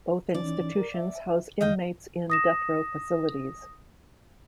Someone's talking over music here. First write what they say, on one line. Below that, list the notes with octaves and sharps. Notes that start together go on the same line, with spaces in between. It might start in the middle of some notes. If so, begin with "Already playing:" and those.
Both institutions house inmates in Death Row facilities.
E3 C#4 D#4 D5
A#4
E5
F2 D#3 E3 D#5 F5 G5
D#6 A#6 E7